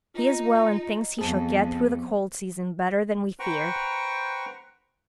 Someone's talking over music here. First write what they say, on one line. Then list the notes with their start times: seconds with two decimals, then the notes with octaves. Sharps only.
He is well, and thinks he shall get through the cold season better than we feared.
0.14 D#4 F4
1.19 F2 B3 G#4 C5 A5
3.39 B4 C5 F#5 G5 A#5 C#6